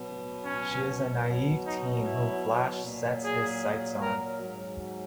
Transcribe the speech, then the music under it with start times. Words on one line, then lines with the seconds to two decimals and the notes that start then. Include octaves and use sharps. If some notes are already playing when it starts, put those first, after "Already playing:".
She is a naive teen whom Flash sets his sights on.
Already playing: B2 F#3
0.45 C#4
1.25 B2 F#3
1.65 D#4
2.04 E4
2.83 A#2 F#3
3.23 G#4
4.01 A#4
4.41 G#2 F#3